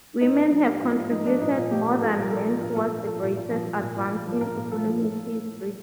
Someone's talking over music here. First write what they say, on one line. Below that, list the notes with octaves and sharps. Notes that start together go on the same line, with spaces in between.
Women have contributed more than men towards the greatest advance in economic history.
A2 D#4
A2
F3 D#4
F3 G4
A2 F4
A2 F4
F3 D#4
F3 D4
A#2 D#4
A#2 F4
F3 G4
F3 A#4
A#2 A4
A#2
A#4
F3 A4
F3
A#2 A#4
A#2 A4
F3
F3 A4
A#2
A#2
F3
F3
A#2
A#2
F3
F3
A#2 A#4
A#2
F3 A4
F3
A2